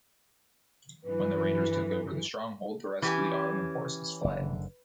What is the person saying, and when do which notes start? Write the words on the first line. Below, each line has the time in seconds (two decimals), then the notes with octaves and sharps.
When the raiders took over the stronghold, the rest of the Ottoman forces fled.
1.04 G2 E3 F#3 B4
3.02 E3 C#4 G4 G#5
4.24 F#1 D3